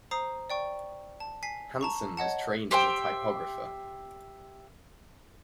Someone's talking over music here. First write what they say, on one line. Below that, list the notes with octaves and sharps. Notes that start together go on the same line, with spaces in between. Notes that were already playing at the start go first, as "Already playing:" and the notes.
Hansen was trained as a typographer.
C5 A#5 D#6 C7
D5 G5 C#6
A5
G#5 B6 C7
A5 A#5 C#6
C#5 D#5 F#5 A5
G4 C5 E5 G5